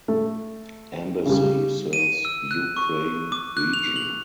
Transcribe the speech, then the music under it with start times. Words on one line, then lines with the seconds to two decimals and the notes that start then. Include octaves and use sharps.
Embassy serves Ukraine region.
0.08 A3
1.26 C#3 G3
1.93 D#7
2.25 E6
2.51 F#6
2.77 C#6
3.32 D6
3.57 F#6
3.73 F7
3.96 F#7